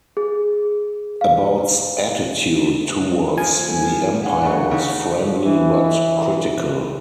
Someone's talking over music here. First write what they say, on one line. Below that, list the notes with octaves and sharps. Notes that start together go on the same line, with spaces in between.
About's attitude towards the empire was friendly but critical.
G#4
F5
F3 G#5
G3 A#3 A4
D4 G#4 F5 F#5
F#2 C#6
C#3
E3